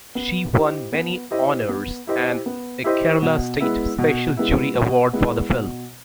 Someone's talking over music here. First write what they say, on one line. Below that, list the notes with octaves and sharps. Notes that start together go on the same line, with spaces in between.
She won many honors and a Kerala State Special Jury Award for the film.
B3
E4 G4 C5 D#5
B3
E4 G4 C5 D#5
B3
E4 G4 C5 D#5
B3
E4 G4 C5 D#5
B2
G#3 B3 E4
B2
G#3 B3 E4
B2
G#3 B3 E4
B2